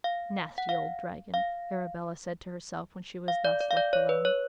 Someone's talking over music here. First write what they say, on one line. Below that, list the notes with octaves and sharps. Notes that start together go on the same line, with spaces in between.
"Nasty old dragon!" Arabella said to herself when she was thus left alone.
F5
F#5
F5
F5
F5
D5
D5
F5
D5
C#5
B4
C#5